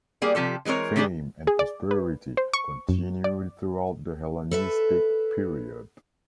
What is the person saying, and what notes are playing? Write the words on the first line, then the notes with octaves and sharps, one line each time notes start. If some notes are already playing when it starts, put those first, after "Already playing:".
Fame and prosperity continued throughout the Hellenistic period.
G3 A#3 G#4
C3 F3 G4 A4
E3 G#3 C4 A#4 C#5
D#3 G3 D4 G4 G#4
G#4
D5
B4
C5
C#6
F#2
D5
A4 B4 E5